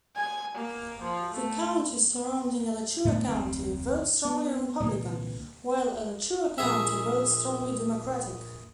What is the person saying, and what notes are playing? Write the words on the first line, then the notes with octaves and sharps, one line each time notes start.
The counties surrounding Alachua County vote strongly Republican, while Alachua County votes strongly Democratic.
G#5
A#3
F3
A3
A2 A3 B3
F1 D2 C4
B3
C2 A#2 D3 E3
A#1 G#4 E5